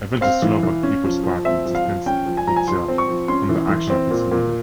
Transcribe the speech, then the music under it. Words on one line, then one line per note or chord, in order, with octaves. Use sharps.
Even the Slovak People's Party distanced itself from the action of its leader.
C4 F5
E3
E3
C#4
F3
F3
C4 E5
F3
F5
F3
C#4 G5
F3
G#5
F3 A#5
G#5
F3 C6
C4
C#6
F3
C#4 C6
E3
E3
C4
A#2
A#2